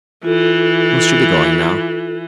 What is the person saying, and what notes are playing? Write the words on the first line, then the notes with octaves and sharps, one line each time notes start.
Must you be going now?
E3 F4 A4